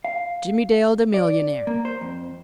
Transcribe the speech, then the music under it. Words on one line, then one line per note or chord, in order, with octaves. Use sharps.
Jimmie Dale the millionaire!
F5
D5
A#3
C5
F2